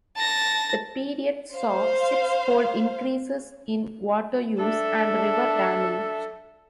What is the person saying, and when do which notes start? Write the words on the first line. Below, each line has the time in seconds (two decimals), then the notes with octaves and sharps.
The period saw sixfold increases in water use and river damming.
0.16 A5 A#6
1.55 C5 F5
4.59 D4 A4 E5